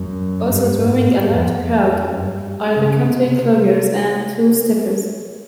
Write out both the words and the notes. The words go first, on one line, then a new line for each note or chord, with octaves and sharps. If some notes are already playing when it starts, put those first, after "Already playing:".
Also drawing a large crowd are the country cloggers and two-steppers.
Already playing: F#2
G2
G#2
A2
F2
F2
F#2
G2
C#3
C3